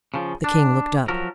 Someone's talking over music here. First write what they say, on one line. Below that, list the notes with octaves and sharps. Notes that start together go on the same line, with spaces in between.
The king looked up.
C#3 F3
D4
F3 F#3 A#4